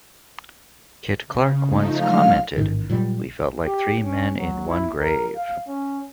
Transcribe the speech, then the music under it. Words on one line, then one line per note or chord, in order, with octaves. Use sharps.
Kit Clark once commented We felt like three men in one grave.
C#3
F3 A3 D#4
F#3 G#3 F5 F6
A1 G#2 D#3
A#2 F#3 G3
G4
C#4
F#3
E4
A#4
F5
C#4